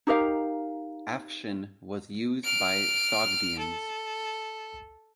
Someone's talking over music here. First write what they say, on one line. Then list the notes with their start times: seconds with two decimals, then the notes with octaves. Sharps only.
Afshin was used by Sogdians.
0.07 D#4 G4 A#4 F5
2.44 F6 D7
3.58 A4